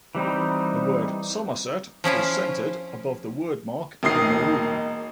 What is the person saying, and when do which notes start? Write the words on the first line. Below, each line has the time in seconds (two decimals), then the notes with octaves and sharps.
The word "Somerset" is centered above the wordmark in maroon.
0.15 E3 G3 C4 D#4
2.04 F3 C#4 E4 F4
4.03 E1 A#3 D#4 D#5 D#6 C7